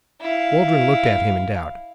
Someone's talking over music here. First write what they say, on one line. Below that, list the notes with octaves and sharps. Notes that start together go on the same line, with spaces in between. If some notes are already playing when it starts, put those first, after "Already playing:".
Waldron looked at him in doubt.
E4 F5